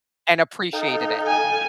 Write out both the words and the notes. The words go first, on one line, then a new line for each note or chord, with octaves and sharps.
and appreciated it.
D#4 A4 F5 G5
G#5